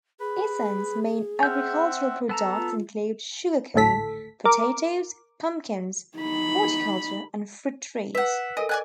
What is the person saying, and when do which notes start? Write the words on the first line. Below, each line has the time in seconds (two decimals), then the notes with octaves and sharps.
Isen's main agricultural products include sugar cane, potatoes, pumpkins, horticulture, and fruit trees.
0.20 G#4 B4
1.43 C4 E5 F#5 F6 G6
2.29 B3 A4 A5 A#5
2.57 F4
3.74 G#1 D2 A2 A4 B6
4.45 A#4 D6
6.18 D#4 B5
8.15 B4 E5 F#5
8.57 A4 A#4 D#5 G#5
8.69 D5 D#5 G#5 F#6